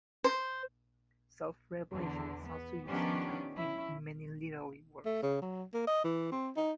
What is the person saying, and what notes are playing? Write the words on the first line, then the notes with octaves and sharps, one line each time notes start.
Self-Revelation is also used as a theme in many literary works.
C5
E2 D3
B3
D#3 F3 B3 C#4 D4 G4
C#4 E4
A3
C#3
F#3
A#3
D#5
E3
C4
D#4